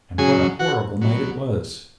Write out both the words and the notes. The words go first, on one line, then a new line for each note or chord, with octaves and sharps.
And what a horrible night it was!
C#3 F#3 G#4 G#5
F#4 F#5
B2 F#3